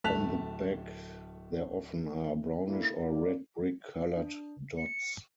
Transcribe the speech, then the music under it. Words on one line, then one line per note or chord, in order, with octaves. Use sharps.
On the back there often are brownish or red-brick coloured dots.
D1 A3 A5 F#6 B6 F7
A3 A#3 D4 E4
G2 F4 A#4 D5
D4
C#7